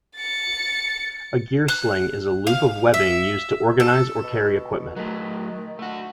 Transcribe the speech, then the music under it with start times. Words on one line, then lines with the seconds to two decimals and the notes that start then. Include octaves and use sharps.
A gear sling is a loop of webbing used to organize or carry equipment.
0.16 A6 C#7
1.68 F#6
2.47 F5
2.94 E5
3.80 A4
4.23 B2
4.96 D#3 F#3 A3
5.79 A3 F#4